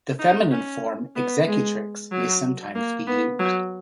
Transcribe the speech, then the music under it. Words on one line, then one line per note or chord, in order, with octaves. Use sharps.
The feminine form, executrix, may sometimes be used.
D#4
C#4
B3
G#3
F#3
A#3
B3
F#3